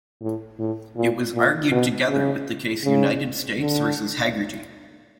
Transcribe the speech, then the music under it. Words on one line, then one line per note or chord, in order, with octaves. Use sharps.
It was argued together with the case "United States versus Haggerty".
A2
A2
A#2
A#2
B2
C#3
C#3
D3